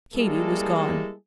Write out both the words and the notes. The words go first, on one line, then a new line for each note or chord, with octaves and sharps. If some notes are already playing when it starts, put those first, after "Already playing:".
Katy was gone.
G3 G#3 A#3 E4 G#4 A4